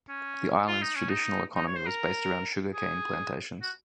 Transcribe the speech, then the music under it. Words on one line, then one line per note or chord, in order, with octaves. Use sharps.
The island's traditional economy was based around sugarcane plantations.
C#4
F4
D#4
C#4
D#4
D#4
C#5
C5
A#4
G#4
F#4